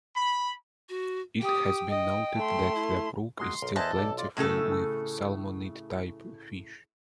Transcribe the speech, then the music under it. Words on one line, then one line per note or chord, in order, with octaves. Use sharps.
It has been noted that the brook is still plentiful with salmonid type fish.
B5
F#4
G4 G5 D#6
D#5
A3 C6
E4
G#3 A#3 F#4 C6
B1 A#4 D#5
E2 E4 A4 C5 D#5 A5 F#6
B1 D5
F4 D5
A2 C#3 A3 A4